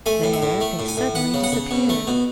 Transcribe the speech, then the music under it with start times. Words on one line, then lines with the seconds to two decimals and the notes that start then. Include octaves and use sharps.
There they suddenly disappeared.
0.06 A3 G#5
0.24 A2
0.34 E5
0.42 A2
0.61 A3
0.79 A2
0.88 G#5
0.97 A2
1.15 B3 F#5
1.34 C#3
1.44 F#5
1.52 C#3
1.71 B2
1.89 A3
2.07 B2